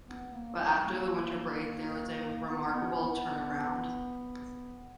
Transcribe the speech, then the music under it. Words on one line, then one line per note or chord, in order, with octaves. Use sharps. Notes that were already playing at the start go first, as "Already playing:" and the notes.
But after the winter break, there was a remarkable turnaround.
B3
A#3
G3
A#3
B3
B3
B3